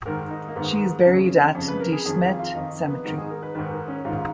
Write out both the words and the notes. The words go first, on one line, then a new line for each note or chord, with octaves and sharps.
She is buried at De Smet Cemetery.
G#2 D#3 A#4
D#4
A#3
G#2 D#3 B3
F2 C#3 C#4
F2 C#3
B4
A#4
G#4
F2 D#3 G#4
F4
F4
F2 D#3 D#4
B3
G#2 D#3 D#4
G#4
A#4
B4
G#2 D#3 B4
A#4
C#4
G#2 D#3 F4